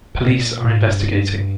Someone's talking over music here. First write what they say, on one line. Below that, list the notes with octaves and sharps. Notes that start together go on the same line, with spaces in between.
Police are investigating.
A#2
A2
G#2
G2